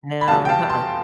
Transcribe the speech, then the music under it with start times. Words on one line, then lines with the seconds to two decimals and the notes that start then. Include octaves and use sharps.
No, uh-uh.
0.21 B5
0.28 F1 E2 B2 G3 F5 A5
0.45 G5
0.49 F5 A5
0.70 A5 C6